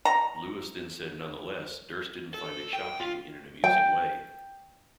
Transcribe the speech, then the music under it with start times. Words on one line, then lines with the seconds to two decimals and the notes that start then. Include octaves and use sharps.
Lewis then said nonetheless, Durst didn't find it shocking in an amusing way.
0.05 A#5
2.34 A4
2.73 G5
3.00 F4
3.64 G5